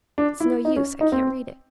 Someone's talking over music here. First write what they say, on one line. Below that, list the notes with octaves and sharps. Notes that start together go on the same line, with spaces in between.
It's no use--I can't read it.'
D4
E4
D#4
C#4
D#4
C4